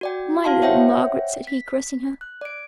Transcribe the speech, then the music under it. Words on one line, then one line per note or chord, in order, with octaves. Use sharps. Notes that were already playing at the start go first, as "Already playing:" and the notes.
'My little Margaret!' said he, caressing her.
F#4 D5 G5
E4 F#4 F5 A5 C6
C5 C#5 E5 F#5 G5
B6
F#6
D5 D7